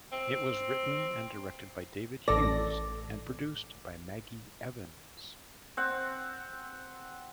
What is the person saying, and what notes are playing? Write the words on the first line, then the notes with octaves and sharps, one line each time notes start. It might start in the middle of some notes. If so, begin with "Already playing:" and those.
It was written and directed by David Hughes and produced by Maggie Evans.
C4
A1 A4 D5 A#6
C4 F#5